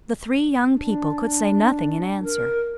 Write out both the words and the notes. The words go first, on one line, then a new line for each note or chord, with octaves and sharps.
The three young people could say nothing in answer.
D4
A#4